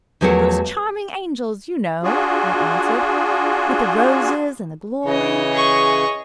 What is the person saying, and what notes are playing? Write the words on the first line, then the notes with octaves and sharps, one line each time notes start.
'Those charming angels, you know,' I answered. 'With the roses and the glories!'
E2 F3 F#3 A3 A#4 F#5
D4 F4 F#4 G#4
C#3 E3 C#5 D#5
G#4 C#6